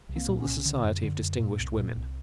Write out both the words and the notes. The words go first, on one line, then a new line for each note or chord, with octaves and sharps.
He sought the society of distinguished women.
C2
A#3 C4
A#2
B3 C#4
C2
D3
F#2
D3
F#2
A#2
C2
A#2
C2